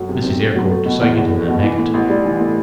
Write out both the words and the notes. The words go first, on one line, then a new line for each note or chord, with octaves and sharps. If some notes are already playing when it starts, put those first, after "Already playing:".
Mrs. Eyrecourt decided in the negative.
Already playing: F#2 F#3 A3
C3
C4
A3
F#3
A3
B2
E2
E2
A3
B2
E3
A2
A1
G3
E3
A2